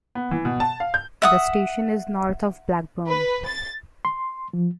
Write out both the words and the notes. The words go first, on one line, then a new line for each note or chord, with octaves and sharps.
The station is north of Blackburn.
B3
E3
B2
A5
F5
G6
E5 F#5 D#6
B4
A6
C6
F3